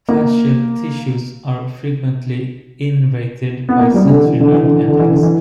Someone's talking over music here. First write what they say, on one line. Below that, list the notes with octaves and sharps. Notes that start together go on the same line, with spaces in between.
Fascial tissues are frequently innervated by sensory nerve endings.
A#3
B3
A#3
G3
C#3
D3
E3
D3
E3
D3
E3
D3
E3
D3
E3